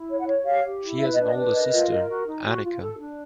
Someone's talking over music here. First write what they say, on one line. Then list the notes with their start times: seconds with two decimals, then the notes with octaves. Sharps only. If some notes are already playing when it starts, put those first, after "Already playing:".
She has an older sister, Anika.
Already playing: E4
0.10 C#5
0.19 F#5
0.28 C#5
0.46 G4 F5
0.64 G4
0.82 E4
1.00 B4 E5
1.14 D#5
1.19 D4
1.27 D#5
1.36 B4
1.54 A#4 D#5
1.73 F4
1.91 A#4
2.09 F#4
2.27 D#4
2.45 F#4
2.63 F4
2.81 A4
2.99 D4